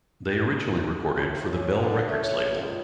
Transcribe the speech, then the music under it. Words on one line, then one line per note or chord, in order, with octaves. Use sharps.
They originally recorded for the Bell Records label.
A2
D#2
C#4
D3
A3
C#5
C#2